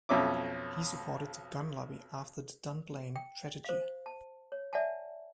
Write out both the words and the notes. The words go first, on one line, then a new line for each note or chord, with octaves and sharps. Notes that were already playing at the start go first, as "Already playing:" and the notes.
He supported the gun lobby after the Dunblane tragedy.
B1 F2 C#4 E5 D6
G5
C5 F5
A5
C#5
D5 E5 F#5 G#5 A5